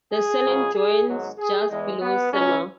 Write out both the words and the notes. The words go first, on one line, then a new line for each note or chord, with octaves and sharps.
The Cernant joins just below Semur.
G#4
C#2 C#3 F#3
G#4
G#1 G#2 F#3
G#4
E2 E3 G#3
B3
C#2 B2 F#3 C#4